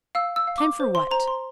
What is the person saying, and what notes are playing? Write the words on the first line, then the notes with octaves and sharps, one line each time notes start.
"Time for what?"
F5 E6
E6
F5
D6
C5
C6
C5 A#5
C6